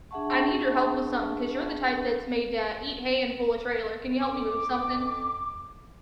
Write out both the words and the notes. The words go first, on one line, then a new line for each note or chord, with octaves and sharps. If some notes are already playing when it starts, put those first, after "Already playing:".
I need your help with something 'cause you're the type that's made to eat hay and pull a trailer. Can you help me move something?"
D4 G#4 E5 F#5 A5 C#6
F2 D6